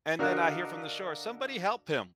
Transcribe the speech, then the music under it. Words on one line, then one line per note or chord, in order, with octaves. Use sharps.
and then I hear from the shore, "Somebody help him,"
D3 F#4 A#4 D#5 F5 F#6